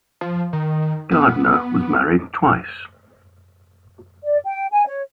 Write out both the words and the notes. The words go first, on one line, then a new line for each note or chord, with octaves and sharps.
Gardiner was married twice.
F3
D#3
B3
D5
G5
G#5
C#5